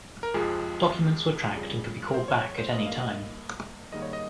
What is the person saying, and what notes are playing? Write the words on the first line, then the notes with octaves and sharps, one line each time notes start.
Documents were tracked and could be called back at any time.
A#4
F2 C3 F3 G#3 G#4
F2 C#3 G3
A#4
C5
C#5
C#5
C5
G2 G3 A#3 D#5
F5
D#5
G#2 D#3 G3 A#3 D#5
C#5
D#5